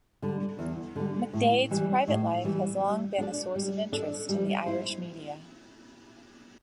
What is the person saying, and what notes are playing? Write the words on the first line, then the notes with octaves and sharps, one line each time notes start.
McDaid's private life has long been a source of interest in the Irish media.
D3 G3
E2
D3 G3
A2
E3 G3
A2
E3 G3
G3
D4 A4 D5
G3
D4 A4 D5
G3
E4 C5